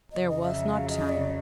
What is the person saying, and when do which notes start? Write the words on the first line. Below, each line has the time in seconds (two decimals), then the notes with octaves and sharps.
There was not time.
0.12 F2 C#3 F#3 D#5
0.30 D#5
0.42 E5
0.69 F5
0.89 D#5
1.09 D5